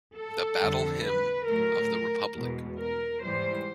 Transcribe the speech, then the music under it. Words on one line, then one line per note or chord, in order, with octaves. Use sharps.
The Battle Hymn of the Republic.
A4
F2 D3 G3
B4
A2 F#3 A3 A#4
E2 B2 G#3
A#4
G#2 E3 G3 C5